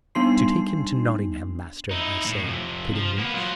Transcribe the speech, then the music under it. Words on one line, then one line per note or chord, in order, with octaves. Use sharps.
"To take him to Nottingham, master, I say," put in Much.
G3 B3 D4 D#4 C6 C7
D#4 E4
A2
F2 C3
F3
A#3 B3
F#3 F4